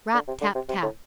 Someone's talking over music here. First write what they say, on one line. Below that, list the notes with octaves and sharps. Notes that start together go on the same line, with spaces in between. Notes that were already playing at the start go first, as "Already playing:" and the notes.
Rap! tap! tap!
D3
C3
D3
C3
C3
A2